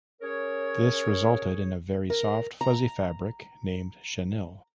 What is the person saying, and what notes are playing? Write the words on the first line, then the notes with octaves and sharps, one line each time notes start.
This resulted in a very soft, fuzzy fabric named chenille.
C#4 G#4 A#4 C#5
A#4
A#5